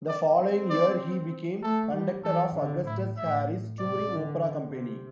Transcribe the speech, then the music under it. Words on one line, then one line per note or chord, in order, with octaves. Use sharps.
The following year he became conductor of Augustus Harris's touring opera company.
D5
C4
D5
A3 A4
G3
E3 A4
D3
A2 E4
A2 E5
C3 D5
D3
C3